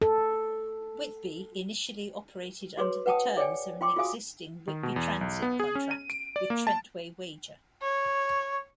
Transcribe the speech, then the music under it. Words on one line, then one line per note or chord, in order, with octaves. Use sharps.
Whitby initially operated under the terms of an existing Whitby Transit contract with Trentway-Wagar.
A4
F#4 G#4 B4 C#5 C6
B4 F#5 G5 A5 D#6
G#4 C#5 D5 G5 G#5
F4 G5 C6 D6
F4 F#4 G#4 F5 G#5 D#6
D#3
B2
E2
B1
B3
G#4
C#4
D#7
D7
D5
A#3
A5
C#5